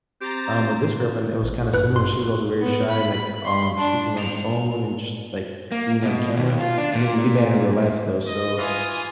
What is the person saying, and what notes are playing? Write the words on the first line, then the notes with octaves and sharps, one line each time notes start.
um, with this girlfriend, it was kinda similar, she was also very shy, like, um, speaking on the phone and just, like, being on camera, I mean, we met in real life, though, so,
C4 G4 C5 A#5 A6
A1
G2 B4 F#6
C6
B3
B5
C6
D4
F7
A#3
B2
D#2
F4
D4
A#2
D#5
E3 F4 G#5 D#6